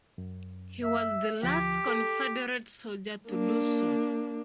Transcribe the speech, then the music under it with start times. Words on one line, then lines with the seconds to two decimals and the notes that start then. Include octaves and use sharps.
He was the last Confederate soldier to do so.
0.18 F#2
0.84 E5
1.43 D2 F3 G4
1.87 A4
3.29 A#3 D4